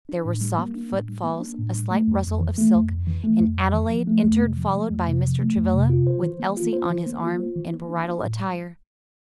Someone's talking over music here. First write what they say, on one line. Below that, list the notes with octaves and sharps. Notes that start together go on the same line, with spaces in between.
There were soft foot-falls, a slight rustle of silk, and Adelaide entered followed by Mr. Travilla with Elsie on his arm, in bridal attire.
D4
A2
G3
A#3
D4
A2
G3
A#3
D4
A2
G3
A3
F2
F2
E3
A3
F2
F2
E3
A3
F2
F2
E3
F3
A3
F2
C3
F3
A3
F2
C3
F3
A3
F2
C3
F4
C5
E3
A#3
F4
C5
E3
A#3
F4
C5
E3
A#3
D4
F4
A2
G3